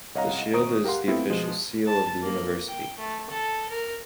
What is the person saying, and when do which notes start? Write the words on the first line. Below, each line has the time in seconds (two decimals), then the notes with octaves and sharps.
The Shield is the official seal of the university.
0.15 C2 C#5 D#5 F5 F#5 A#5
0.53 G#1 C5 A#5 C#6 D#6 D7
0.84 G4 A#4 F5 F#5 C6
1.08 A3 B3 C4 E4 F4
1.29 B2 F3 G#3
1.86 A5
2.22 A#3
2.68 G5
2.98 A3
3.30 A4
3.70 A#4